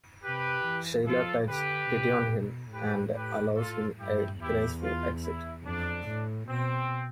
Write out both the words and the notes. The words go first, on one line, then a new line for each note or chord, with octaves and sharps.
Sheila takes pity on him and allows him a graceful exit.
C3 G4 B4
E3
F3 F4 A4
D3 G4 B4
C3
B2
A2 G4 B4
G4 B4
F4 A4
G2 E4 G4
E2 E4 G4
F4
E4
F2 D4
A2
B2 C4